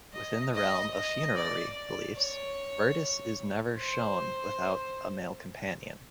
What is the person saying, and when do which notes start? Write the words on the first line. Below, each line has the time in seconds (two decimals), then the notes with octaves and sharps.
Within the realm of funerary reliefs Virtus is never shown without a male companion.
0.13 D#5
0.54 D#5
0.95 D#5
1.35 D5
1.76 D5
2.16 C#5
3.78 C5